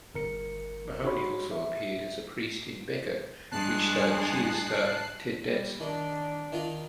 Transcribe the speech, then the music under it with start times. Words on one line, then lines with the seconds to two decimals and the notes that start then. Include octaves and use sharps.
Mahoney also appeared as a priest in "Becker" which starred "Cheers" star Ted Danson.
0.14 G1 A#4 C#7
1.04 D#4 F#4 G4 C#5 B5 C6
1.51 E5
3.51 G2 G#3 A5 F#6 C7
5.45 G3
5.80 D#3 D4
6.52 D#3 F4